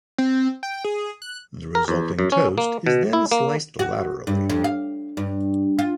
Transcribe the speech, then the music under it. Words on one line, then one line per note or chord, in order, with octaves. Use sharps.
The resulting toast is then sliced laterally.
C4
G5
G#4
F#6
A#4
E2
F#2
C#4
A#3
B2
E4
A#3
F#4
G2
F2
F5
G2
F4